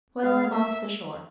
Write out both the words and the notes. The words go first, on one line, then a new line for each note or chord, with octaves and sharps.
Well, I'm off to the shore.
G#3 F5
A#3 E5